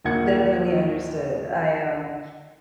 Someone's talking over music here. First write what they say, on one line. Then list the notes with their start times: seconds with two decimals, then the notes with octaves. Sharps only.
Definitely understood. I, um,
0.05 A#1 D#2 A#3 F#5 G#6 C#7